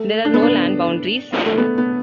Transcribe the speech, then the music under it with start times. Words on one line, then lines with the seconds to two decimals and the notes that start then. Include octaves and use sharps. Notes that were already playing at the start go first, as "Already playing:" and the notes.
There are no land boundaries.
Already playing: A3
0.25 D4
0.34 B3
0.42 D4
1.46 A3
1.58 B3
1.78 B3